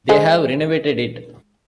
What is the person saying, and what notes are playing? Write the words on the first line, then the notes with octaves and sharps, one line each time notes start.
They have renovated it.
G#3 C5